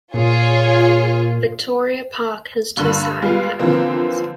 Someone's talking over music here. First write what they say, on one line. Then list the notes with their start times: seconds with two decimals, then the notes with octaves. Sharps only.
Victoria Park has two side platforms.
0.14 A#2 F4 G#4 C#5
2.77 G2 D3 A#3
3.22 G3 G#3 B3 F4 F5
3.60 D3 E3 F3 A#3 C4